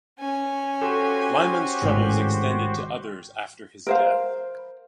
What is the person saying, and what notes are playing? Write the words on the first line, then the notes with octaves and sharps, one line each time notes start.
Lymon's troubles extended to others after his death.
C#4 G#5
F#4 G4 A4 C5
G#1 A2 C#3
A#4 C5 F5